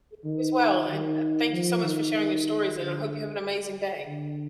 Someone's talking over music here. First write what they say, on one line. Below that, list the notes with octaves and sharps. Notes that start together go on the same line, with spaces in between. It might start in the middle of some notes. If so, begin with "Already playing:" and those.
You as well, and, uh, thank you so much for sharing your stories, and I hope you have an amazing day.
D#3
D#3
F3
D#3
D3
D3